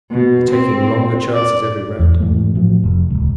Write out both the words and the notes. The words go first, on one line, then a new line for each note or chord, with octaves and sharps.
They're taking longer chances every round.
B2
C4
D5
E2
G#2 E3 A3
A2 F3 F#3
F1
D#1 G#1 C#2